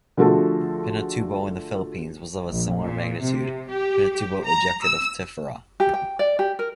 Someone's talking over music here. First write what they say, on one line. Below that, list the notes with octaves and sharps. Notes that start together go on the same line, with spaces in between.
Pinatubo in the Philippines was of a similar magnitude; Pinatubo ejected of tephra.
D3 F3 A3 F#4 G#4 A4
A#1
A#2
C3
G4
G4
A#5
E6
G4
G5
D5
G4
A#4